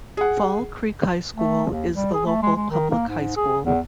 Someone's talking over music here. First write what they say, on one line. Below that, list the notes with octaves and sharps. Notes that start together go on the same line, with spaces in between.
Fall Creek High School is the local public high school.
G#4 F#5
A3
D#2
G3
G#4
A3
G#3
G#3
D#3
A#3
G#2
G#4
E2